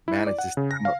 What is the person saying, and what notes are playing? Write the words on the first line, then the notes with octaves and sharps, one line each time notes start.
manage this time up."
E4
D5
F#5
C#3
A#6
F5